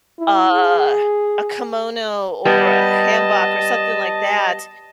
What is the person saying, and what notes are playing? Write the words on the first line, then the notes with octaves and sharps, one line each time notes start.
a a kimono or a hanbok or something like that,
E4
G#4
G3 B3 D#5 A5